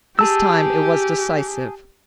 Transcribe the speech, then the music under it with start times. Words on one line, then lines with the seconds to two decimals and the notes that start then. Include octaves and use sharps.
This time, it was decisive.
0.19 G4 G#4 A5 E6